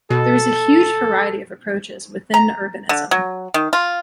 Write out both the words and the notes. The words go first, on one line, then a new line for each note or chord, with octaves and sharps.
There is a huge variety of approaches within urbanism.
B2 A4
A#5
D3
F#3
D#3
F4